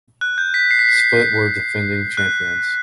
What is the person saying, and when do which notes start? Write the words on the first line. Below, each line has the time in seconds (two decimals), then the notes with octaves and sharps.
Split were defending champions.
0.21 F#6
0.38 G6
0.54 B6
0.71 C7
0.79 B6
0.89 C7
2.17 F#6